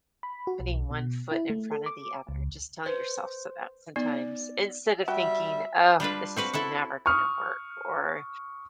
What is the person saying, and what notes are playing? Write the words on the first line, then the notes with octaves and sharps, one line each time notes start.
putting one foot in front of the other. Just tell yourself so that sometimes instead of thinking, "Oh, this is never gonna work," or
B5
F#4
B1
B2
E4
A3
A4
D6
C#2
B4 C5
B3 D#4 D5
G3 F#4 E5 G5
G3 D4 F4 B4
C4 F#4 B4 F5
E4 A4 F#5
C#6 D#6 F6